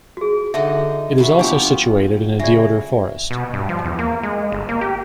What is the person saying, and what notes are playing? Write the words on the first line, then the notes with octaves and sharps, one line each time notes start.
It is also situated in a deodar forest.
F#4 G#4
D3 D#4 D#5 E5
C3 F#3 B5
F3 B3 D4 G4 C#6
C#3 D5 E5
B2
G2
F3
E2
A#3
G#3
G1
A#3
G4